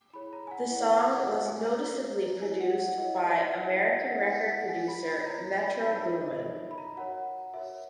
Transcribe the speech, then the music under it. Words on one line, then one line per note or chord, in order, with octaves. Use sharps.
The song was noticeably produced by American record producer Metro Boomin.
E4 G#4 C#5 B5
A#5
G#5
F#5
E4 G#4 C#5 F#5
E5
E5
F#5
F#4 B4 E5
G#5
A#5
F#4 B4
E4 A#4 C#5 G#5
F#5
F#5
E4 A#4 C#5 D#5
D#5
E5
E4 G#4 B4 F#5
F#5
E4 G#4 B4 E5
E5
F#5
E4 A#4 C#5 G#5
B5
B5
E4 A#4 C#5 A#5
B5
D#4 A#4 C#5 B5
E5
D#5
D#4 A#4 C#5 E5
B5
A#5
F#4 A#4 C#5 F#5
F#4 A#4 C#5 E5